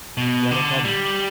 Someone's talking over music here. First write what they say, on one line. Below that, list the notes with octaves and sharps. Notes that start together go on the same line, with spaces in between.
Yeah, no problem.
B2
D3
G3